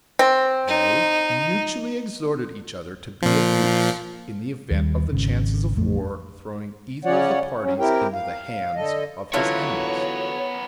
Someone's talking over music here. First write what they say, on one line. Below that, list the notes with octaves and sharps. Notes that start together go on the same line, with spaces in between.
They mutually exhorted each other to be of use in the event of the chances of war throwing either of the parties into the hands of his enemies.
C4
D#4
A#2 F3
D#2 G3
G#1 C#3
A1 F2 A3
C#3 C#4 C#5 D5 F#5
F#3 C#4
C4 E4 G4 A#4 G5
F5
D3 A4 D#5
D3 E3 F#3 B3 E4 F4 A#4 C#5